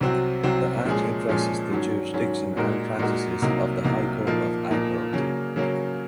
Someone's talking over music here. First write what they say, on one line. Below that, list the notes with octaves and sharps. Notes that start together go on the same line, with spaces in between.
The act addresses the jurisdiction and practices of the High Court of Admiralty.
C2 C3 F#3 C4 F#4
C2 C3 F#3 C4 F#4
A#2 F3 G#3 C#4 G#4
A#2 F3 G#3 C#4 G#4
G#2 D#3 F#3 C#4
G#2 D#3 F#3 C#4
A#2 G#3 D#4 F#4 A#4
A#2 G#3 D#4 F#4 A#4
C2 C3 F#3 A#3 D#4
C2 C3 F#3 A#3 D#4
A#2 F3 A#3 D#4
A#2 F3 A#3 D#4
C#3 F#3 A#3 C#4
C#3 F#3 A#3 C#4